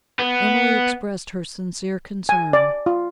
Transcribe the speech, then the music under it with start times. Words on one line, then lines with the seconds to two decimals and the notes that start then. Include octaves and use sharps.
Emily expressed her sincere concern.
0.19 B3
2.29 G#5
2.53 D5
2.86 F4